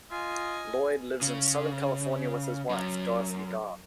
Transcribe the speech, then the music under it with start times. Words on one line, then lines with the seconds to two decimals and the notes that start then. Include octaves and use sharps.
Lloyd lives in Southern California with his wife, Dorothy Darr.
0.11 F4 D#5 G#5
1.22 C#3
2.69 F#2